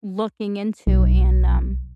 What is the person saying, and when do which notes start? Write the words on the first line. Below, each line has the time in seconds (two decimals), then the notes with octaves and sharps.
looking into and, um
0.87 B1